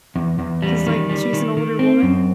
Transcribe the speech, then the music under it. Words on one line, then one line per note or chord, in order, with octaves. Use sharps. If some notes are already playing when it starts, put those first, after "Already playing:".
'cause, like, she's an older woman
E2
E2
G3
D#3
G3
D#3
D#3
C4
F#2